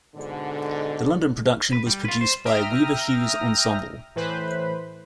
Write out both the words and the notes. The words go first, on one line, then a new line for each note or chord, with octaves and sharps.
The London production was produced by Weaver Hughes Ensemble.
G#2 B2 D3
B4
G3
F4 B4
C5
E5 G5 A#5 D#6 F6 A#6
A2 E3 B4 C5 B5